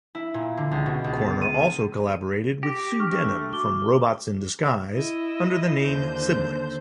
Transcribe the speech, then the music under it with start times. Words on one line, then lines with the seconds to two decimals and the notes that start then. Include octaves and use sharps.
Corner also collaborated with Sue Denim from Robots in Disguise, under the name "Siblings".
0.15 E4
0.34 A#2
0.57 D3
0.71 C#2
0.86 B2
1.04 C#2
1.21 A6
1.41 D#7
2.63 G4 A#6
3.00 D4 C#6 F6
3.13 A3
3.53 F#4 D6 G7
4.93 E4 D#5 E5
5.81 D#2 D3 C5 G6